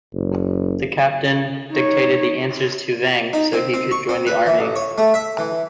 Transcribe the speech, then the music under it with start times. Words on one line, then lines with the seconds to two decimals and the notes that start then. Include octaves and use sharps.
The captain dictated the answers to Vang so he could join the army.
0.14 F#1
1.72 D#4 C#5
3.33 D#4
3.53 C4
3.74 C4
3.91 C#6
4.09 C4
4.27 B4
4.46 E3
4.59 A1
4.76 C#5
4.98 A3
5.14 E5
5.38 E3